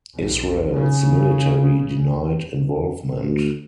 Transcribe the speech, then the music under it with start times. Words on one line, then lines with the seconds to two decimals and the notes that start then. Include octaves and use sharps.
Israel's military denied involvement.
0.14 B1
0.74 C#3
3.23 D2